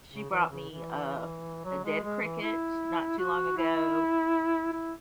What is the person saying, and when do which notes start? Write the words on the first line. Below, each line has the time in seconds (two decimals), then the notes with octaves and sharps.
she brought me a a dead cricket not too long ago,
0.12 C#3
0.30 E3
0.50 C#3
0.69 E3
1.65 F#3
1.84 G#3
2.03 G#3
2.22 E3
2.42 E4
3.19 F#4
3.57 E4
4.72 E4